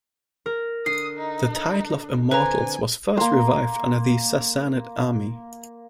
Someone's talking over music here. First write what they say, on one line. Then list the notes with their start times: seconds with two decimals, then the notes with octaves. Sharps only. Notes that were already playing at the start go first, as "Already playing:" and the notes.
The title of "Immortals" was first revived under the Sassanid army.
0.46 A#4
0.86 D3 D#6 C7
1.18 D#4
2.31 D3 B3 C4 B4 G#5 A#5
3.17 A#3 C6